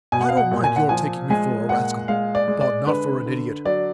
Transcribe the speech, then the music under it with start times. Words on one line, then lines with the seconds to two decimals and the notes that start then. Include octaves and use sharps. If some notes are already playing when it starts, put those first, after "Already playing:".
I don't mind your taking me for a rascal, but not for an idiot.
0.12 B2 G#5
0.21 F#5
0.29 F5
0.37 F#5
0.51 A#2
0.64 G#5
0.76 F#5
0.89 F3 G#5
1.30 G#3 G#5
1.69 A#2 F#5
2.08 G#3 F5
2.35 D5
2.48 G#3
2.61 D5
2.87 D3 B4
3.26 D3
3.65 F#3 D5